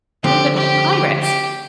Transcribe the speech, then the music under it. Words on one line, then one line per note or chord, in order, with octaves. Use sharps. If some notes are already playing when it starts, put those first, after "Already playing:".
"They look like pirates."
D3 F3 A3 C4 G4
G4
G4